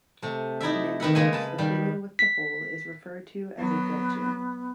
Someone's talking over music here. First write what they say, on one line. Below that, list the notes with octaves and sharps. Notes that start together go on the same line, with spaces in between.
In any case, the fitting with the hole is referred to as a gudgeon.
C3 A3
D#4 E4 D5 E5
D#3 B4 E5 F#5
C#3 G#3 A#3 E5 G#5
B4 A5
D#3 G3
B6
F#3 B3